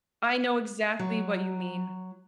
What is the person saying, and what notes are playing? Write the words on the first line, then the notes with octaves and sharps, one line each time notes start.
I know exactly what you mean.
F#3